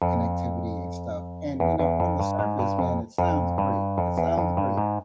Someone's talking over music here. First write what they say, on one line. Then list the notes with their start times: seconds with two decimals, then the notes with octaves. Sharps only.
connectivity and stuff," and, you know, on the surface, man, it sounds great, it sounds great,
0.02 F2
1.60 E2
1.79 E2
2.00 F2
2.20 G2
2.39 G#2
2.59 G2
2.79 F2
3.18 F2
3.58 G2
3.98 F2
4.18 E2
4.38 F2
4.57 G2
4.78 G#2